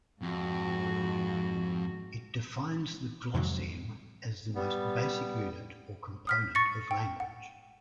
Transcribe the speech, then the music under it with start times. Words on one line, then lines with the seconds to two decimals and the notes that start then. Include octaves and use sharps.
It defines the "glosseme" as the most basic unit or component of language.
0.22 F2 G#2 F#4
3.34 F2 G#2 C3 D#3 F#3
4.55 G3 B3
6.27 D#6 F6 B6
6.55 C#6 A6 A#6 C#7
6.91 G5
7.20 F#5